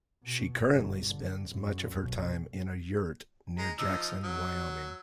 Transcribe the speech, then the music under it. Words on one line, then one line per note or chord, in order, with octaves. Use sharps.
She currently spends much of her time in a yurt near Jackson, Wyoming.
B2
G1
D3
F#2
B1
G#3 A#5
F3 D#4 E6
F#3